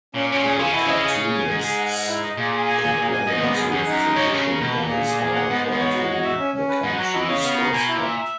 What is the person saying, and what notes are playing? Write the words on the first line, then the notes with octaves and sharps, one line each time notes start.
The cartoonist's compliance with tradition in his art earned him the country's respect.
A#2 C#4
B2 C#4
A#2
G#4
C#3 G#5
B2 E4
C#3 D#5
G#4
G#4
G#5
G#2 G#4
G#4
F#5
F#5
E4
D#5
A#2 G#4
G#4
G#5
G#4
G#4
G#5
G#2 D#5
A#2 B3
G#2
F#2 G#4
F#2 F#5
F#2 D#4
D#5
G#2 C#5
D#3 C#4
C#3
A#4
B2 B4
A#3
A#2
G#4
G#4
G#4
F#5
G#2 B3
B3
G#2
C#5
F#4
F#4
E5
C#4
C#4
B4
G#2 F#5
F#3 F#4
E3 D#5
C#3 C#5
B3
A#4
B2 G#5
E4
A#2
E5
E5